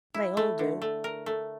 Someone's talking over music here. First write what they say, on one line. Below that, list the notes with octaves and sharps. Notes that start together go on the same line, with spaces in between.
They all do.
E4
A3
D3
A3
A#4
A3